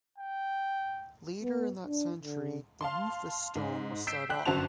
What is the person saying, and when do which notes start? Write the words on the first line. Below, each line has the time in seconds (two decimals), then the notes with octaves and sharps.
Later in that century the Rufus Stone was set up.
0.18 G5
1.43 B3
1.87 D4
2.23 D3
2.81 F5 A5 C6
3.55 G#2
4.07 E6 G6 B6 C7 D7 E7
4.29 G5 F#6
4.46 G1 F#2 F#4 C5 A5 F7